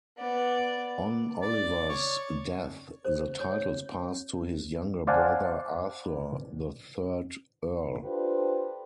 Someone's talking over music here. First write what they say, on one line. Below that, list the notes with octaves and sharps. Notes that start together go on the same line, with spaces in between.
On Oliver's death the titles passed to his younger brother, Arthur, the third Earl.
B3 D5
D5
C#5
C5
C#5
C#5
C5 D5 F5 F#5 G#5 A5
D4 F4 G4 A4 B4 C5